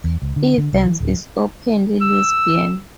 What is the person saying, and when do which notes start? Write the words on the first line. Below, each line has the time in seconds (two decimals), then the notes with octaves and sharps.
Evans is openly lesbian.
0.04 E2
0.22 C#2
0.36 D3
0.58 D3
0.73 C2
0.85 E3
1.00 D1
2.01 E6